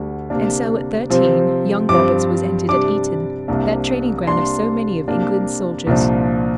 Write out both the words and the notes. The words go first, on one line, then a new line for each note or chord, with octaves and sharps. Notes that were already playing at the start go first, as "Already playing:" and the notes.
And so at thirteen, young Roberts was entered at Eton, that training ground of so many of England's soldiers.
Already playing: D2 D3 G3
C3 A#3 D4
C3 F3 C4
G2 F3 C4 D6
C3 G3 D4 D6
C2 C3 A#3 D4
C3 G3 A#3 D4 C6
C3 A#3 D4
C2 A#2 F3 D4